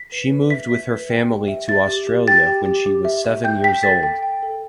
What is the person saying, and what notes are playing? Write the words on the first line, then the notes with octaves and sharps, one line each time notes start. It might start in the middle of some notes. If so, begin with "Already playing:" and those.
She moved with her family to Australia when she was seven years old.
Already playing: B6
B4
B4
E5 B6
E5
B4
G5
G4
E5
E5 A6
G4
G4
G5 A6
G4
G4
G4
E5
E5
G5 G6
G5 B6
A4 A6
G5
G5
A4